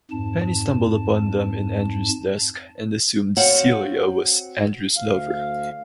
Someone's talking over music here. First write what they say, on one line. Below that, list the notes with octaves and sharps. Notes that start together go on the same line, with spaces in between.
Penny stumbled upon them in Andrew's desk, and assumed Celia was Andrew's lover.
F2 G#2 A5
C4 F#4 C#5 F5 F#5
D2 F5